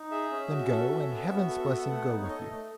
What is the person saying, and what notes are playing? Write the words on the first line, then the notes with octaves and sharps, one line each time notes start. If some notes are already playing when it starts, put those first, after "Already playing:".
Then go, and Heaven's blessing go with you.'
Already playing: D#4
G#4 E5
C#4
F#4
A4
C#4
B3
F#4
A4
B3
E5
A3 F#5
D#4
C#5
A4 D#5
A3